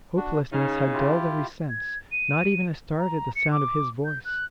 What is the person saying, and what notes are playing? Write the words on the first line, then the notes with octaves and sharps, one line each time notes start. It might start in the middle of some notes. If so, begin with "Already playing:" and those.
Hopelessness had dulled every sense: not even a start at the sound of his voice!
D4 F#4
C#3 D#4 F6
E4 F4 G4
G#6
D#7
A#5
C#7
D6
G6
F#6